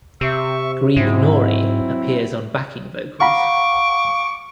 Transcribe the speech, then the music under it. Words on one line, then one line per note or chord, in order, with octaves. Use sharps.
Greig Nori appears on backing vocals.
C3 E5 C#6
G#2 F#3 C4 E4
F5 F#5 A#5 B5 C#6 D6